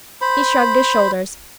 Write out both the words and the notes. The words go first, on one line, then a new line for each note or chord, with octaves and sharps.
He shrugged his shoulders.
C5 B5